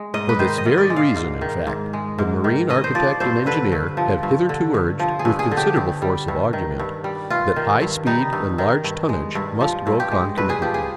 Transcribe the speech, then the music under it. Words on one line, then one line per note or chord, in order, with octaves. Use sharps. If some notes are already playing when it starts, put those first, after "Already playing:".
For this very reason, in fact, the marine architect and engineer have hitherto urged, with considerable force of argument, that high speed and large tonnage must go concomitantly.
Already playing: G#3 G#4
G#2 D#5
B4
D#3 C5
D#5
G#2
D5
G#3
F5
G#2
D#3
G#2
G#3
G#2
D#3
G2 D#5
C5
F3 D5
G2 C5
D3 B4
G2
F3
G2
D3
G2
F3
G#4
G2
G#4
D3
G4
G2
G3
G2
D#3
G2
G3
G2 F4
D#3
G2
G3 D#4
G2
D#3
G2
G#3
G2
F3
G2
G4
G#3
G2 B4
G#4
F3 G4
G#4